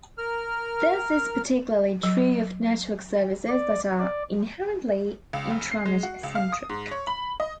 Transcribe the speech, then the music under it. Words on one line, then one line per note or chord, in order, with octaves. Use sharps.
This is particularly true of network services that are inherently intranet-centric.
A#4 F6
F#3
D5
D5
C#2
F1
C7
G#3
F#4
C#2
F5
D#6
G#2
C#5
B5
D#5